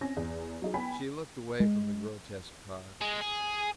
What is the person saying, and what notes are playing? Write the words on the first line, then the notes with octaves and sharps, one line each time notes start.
She looked away from the grotesque car.
C4 C#4 G#5 A#6
E2
F#3 D#4 G#4
B3 G5 G#5 B5 B6
G#3
G#3
G#4